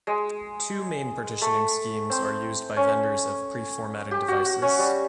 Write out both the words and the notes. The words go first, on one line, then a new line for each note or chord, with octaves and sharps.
Two main partitioning schemes are used by vendors of pre-formatted devices.
G#3
A3
C4
C#4
G4
F#4
F#4
C#4
G3